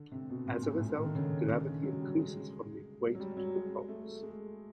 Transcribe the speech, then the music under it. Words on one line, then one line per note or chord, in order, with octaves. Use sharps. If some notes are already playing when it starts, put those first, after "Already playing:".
As a result, gravity increases from the equator to the poles.
Already playing: D3
C3
B2
A#2
A#2
A2
A#2
D#3
D3
C#3
C#3
F#3
G3
G#3
F#3
G3
F#3
G#3
A3
G#3